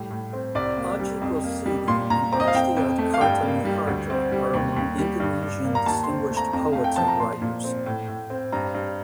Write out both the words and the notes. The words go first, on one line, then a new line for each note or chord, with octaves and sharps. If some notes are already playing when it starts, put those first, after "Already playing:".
Ajip Rosidi and Achdiat Karta Mihardja are among Indonesian distinguished poets and writers.
Already playing: A2 G3
A2
C4
C2 D5
A#3
G3
F2
A#3
G3
A#2 C6
A#2 A#5
C4 A#5
D#5
F5
F2 G5
F2
A3
F5
G2 G5
A#3
G3
D2
C4
G3
D#2
D#2
G3
G2
G2
A#3
A#5
D#2 A5
C6
C4
A3
A#5
F2 A#5
A3 F5
G5
F3 A5
A#5
A#2 C6
A#2
C4
A2
A2
C4
G2 A#5
G2